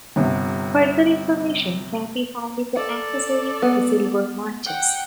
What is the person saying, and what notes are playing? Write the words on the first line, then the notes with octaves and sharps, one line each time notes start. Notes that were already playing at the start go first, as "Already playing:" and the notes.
Further information can be found in the accessory "The Silver Marches".
G1 C3
A4 D5
B3
F#5 G5